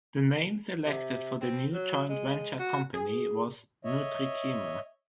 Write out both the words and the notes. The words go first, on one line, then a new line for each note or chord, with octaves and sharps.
The name selected for the new joint venture company was Nutricima.
C3
C4
F#3
G#3
F#4
G#4
C#5 D#5 E5